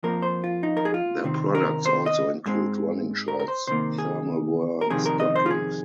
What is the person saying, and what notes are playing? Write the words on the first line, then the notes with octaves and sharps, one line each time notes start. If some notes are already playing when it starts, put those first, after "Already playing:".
Their products also include running shirts, thermal wear, and stockings.
F2 F3 A#3 A#4
C5
F4
D#4
A#4
G#4
F4
C3 D#3 C4
A#4
C5
D#5
G#2 G#3 C4
A#4
A#4
C5
C3 D#3 A#3 C5
G#4
A#4
F2 C3 D#3 G#4
A#4
D#5
C5
F4
G#4